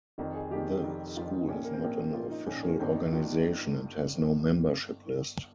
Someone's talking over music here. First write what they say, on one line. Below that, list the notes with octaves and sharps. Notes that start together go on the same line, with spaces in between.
The school is not an official organization and has no membership list.
F1 F2 D#3
G#4
F1 F2 D#3 G4
F1 F2 D#3
F1 F2 D#3 F4
A#1 A#2 C#4
A#3
C4
A#1 A#2 A#3
A#1 A#2 F4
D#4
A#1 A#2 C#4
A#3
G1 G2 D#3 C4
D#4
D#3 F4